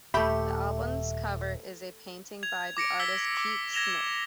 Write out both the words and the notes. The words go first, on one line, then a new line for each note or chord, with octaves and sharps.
The album's cover is a painting by the artist Peter Schmidt.
D#1 A3 G4 E5 B5 G6 B6
G#6 F7
D6 A#6 C#7 D7
E6 B6 G7
D6 A#6
G#6 A#6 E7 F7 G7